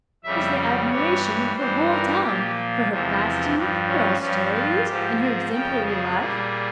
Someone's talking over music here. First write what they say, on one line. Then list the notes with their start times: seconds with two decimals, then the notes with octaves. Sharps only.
She is the admiration of the whole town, for her fasting, her austerities, and her exemplary life.
0.24 F2 C#3 G3 E5
0.90 G2 E3 G3 C#5
1.23 C#5
1.56 G2 E3 G3 C5
1.89 A#4
2.22 A#2 F3 G4
2.89 E2 C3 F3
3.54 G2 F3
3.87 C#4
4.20 G2 F3 C#4
4.53 F4
4.86 G#2 F3 G4
5.19 G#4
5.52 F2 C#3 F3 G5
5.85 G#4
6.18 A#2 G3 G#4